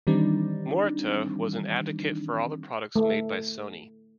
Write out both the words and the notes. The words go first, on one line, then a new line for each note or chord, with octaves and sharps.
Morita was an advocate for all the products made by Sony.
D#3 E3 G3 C4 D4 D#4
A3